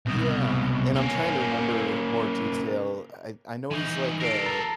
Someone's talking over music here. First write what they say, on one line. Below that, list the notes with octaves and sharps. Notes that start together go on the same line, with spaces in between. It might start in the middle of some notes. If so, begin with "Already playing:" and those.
Yeah, and, I'm trying to remember more detail, I I know he's like a
C2 B2
A#3 C#4
E3 D#4
A4 A#4 A#6 C7 D7
A5 A#5 A6